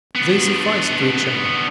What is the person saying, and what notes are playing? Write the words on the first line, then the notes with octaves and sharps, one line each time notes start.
They sufficed to each other.
B3 D4